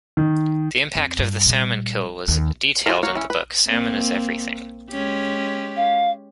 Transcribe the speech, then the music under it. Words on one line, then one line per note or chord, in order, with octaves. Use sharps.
The impact of the salmon kill was detailed in the book "Salmon is Everything".
D#3
F2
G2
A#2 G3
D#2 D#3
F4 F#4 G#4 A#4
A#3 F#4 C#5 F5
E3 C#4
B4
A#3 C4
G#3 C#4 G4
F5